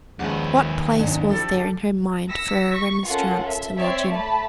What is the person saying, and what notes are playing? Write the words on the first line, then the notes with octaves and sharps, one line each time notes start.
What place was there in her mind for a remonstrance to lodge in?
D#2 F3 G3 G#3 C#4 B4
G#2 B2 C#4 D4
F3 G3 E4 A4
D3
E6 A#6 B6 C#7
C#6
C#4 F4 A4 A#4 F#5
E5
C4 C#5 D5 E5 C6
A3 A5 B5